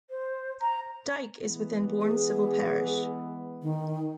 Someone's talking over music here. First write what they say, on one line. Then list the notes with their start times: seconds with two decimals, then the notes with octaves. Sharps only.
Dyke is within Bourne civil parish.
0.10 C5
0.61 A#5
1.43 E3 G#3 B3
2.01 G#4
3.62 D#3